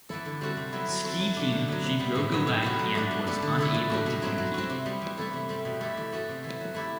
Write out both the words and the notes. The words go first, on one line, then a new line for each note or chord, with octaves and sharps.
Ski Team, she broke a leg and was unable to compete.
E3 B3 E4 A4
D3
G3 C4 F#4 A4
C3
F#3 B3 E4 A4
F#3
C4 F#4 A4
F#3
A3 D4
D3
F#3 B3
C3
G3 B3
A2
F#3 B3
A2
G3 B3 F#4
F#3
A3 D4
G3
B3 D4 A4
D3
A3 E4 A4
E3
G3 D4 F#4
B2
F#3 C4 E4
F#3
C4 F#4
C3
G3 B3
E3
A3 E4 A4
C3
G3 C4
B2
A3 E4 G4
E3
B3 F#4 A4
C3
E3 B3
F#3
A3 E4 G4